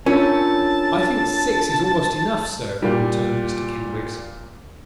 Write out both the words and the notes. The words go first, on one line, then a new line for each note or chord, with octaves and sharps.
'I think six is almost enough, sir,' returned Mr Kenwigs.
C#4 D4 F4 A#4 A5
A#2 G3